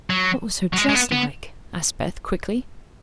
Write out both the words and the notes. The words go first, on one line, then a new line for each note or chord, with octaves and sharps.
"What was her dress like?" asked Beth, quickly.
F#3
F#3
G#3
G#3
B3
B3